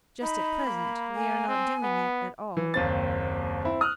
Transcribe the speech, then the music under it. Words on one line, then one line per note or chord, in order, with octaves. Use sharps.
Just at present we are not doing it at all.
D#4 B5
A#3
G#5
C4
B3
E3
F#1 D#2 C4 A6
C4 E4
D#6 F6 F#6